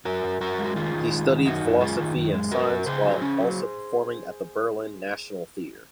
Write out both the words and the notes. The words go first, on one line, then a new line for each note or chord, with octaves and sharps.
He studied philosophy and science while also performing at the Berlin National Theater.
F#2 F#4 A#4
F#2
F#2 F#4 A#4
G#3
F#4
D#3 F4 G#4
D#3
G#3
D#3
F#2 D#4 F#4
F#2
G#3 F4 G#4
D#3
F#2
G#3
F#2 F#4 A#4
F#2
C#3 G#4 C5
F#3
C#4
F#3